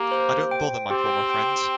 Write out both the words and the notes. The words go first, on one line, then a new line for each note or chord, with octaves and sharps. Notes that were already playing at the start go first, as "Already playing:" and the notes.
I don't bother my former friends.
Already playing: A#3 G4
C5
G5
C4 G4
G5